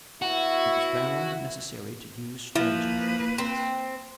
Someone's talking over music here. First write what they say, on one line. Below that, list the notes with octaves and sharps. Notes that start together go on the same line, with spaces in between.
It was found necessary to use stratagem for the purpose.
B3 E4 F#4
F3 A#3 E4 B4
C4